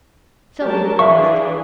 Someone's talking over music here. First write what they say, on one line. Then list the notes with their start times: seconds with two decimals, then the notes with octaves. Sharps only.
Sylvia promised.
0.61 F#3 G4 A#4 A5
0.99 E3 D4 G#4 D5 E5 F5 C#6